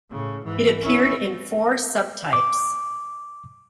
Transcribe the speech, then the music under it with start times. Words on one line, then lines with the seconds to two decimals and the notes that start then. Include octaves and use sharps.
It appeared in four sub-types.
0.10 A2 C#3
0.45 G#2 E3
0.82 C#4 E4
2.33 D6